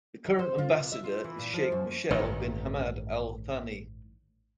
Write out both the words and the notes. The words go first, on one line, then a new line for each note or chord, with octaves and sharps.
The current ambassador is Sheikh Meshal bin Hamad Al Thani.
D#4
C5
F4
C3
E5
F4
E3
A#2
F3
F#2
A1 G2 D#3